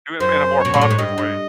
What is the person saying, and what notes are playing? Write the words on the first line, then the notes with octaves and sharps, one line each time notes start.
Do 'em in a more positive way.
F#2 C5
C#5
B2
A#2
A2
G#2
G2 D#5
G2